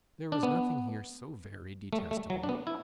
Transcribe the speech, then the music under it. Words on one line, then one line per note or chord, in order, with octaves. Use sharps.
There was nothing here so very detestable.
D4
B3
A3
A3
F#3
D4
B3
E4